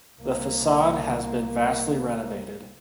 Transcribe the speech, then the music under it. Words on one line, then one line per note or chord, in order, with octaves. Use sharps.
The facade has been vastly renovated.
C2 A#3